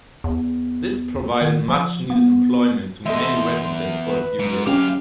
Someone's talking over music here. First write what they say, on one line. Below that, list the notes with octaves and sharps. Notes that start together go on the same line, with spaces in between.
This provided much needed employment to many residents for a few years.
E2
D#3
F3
B3
E2 A4 D#5 E5 C6
B4
G#2
F#2 C#4 G4 F5 D6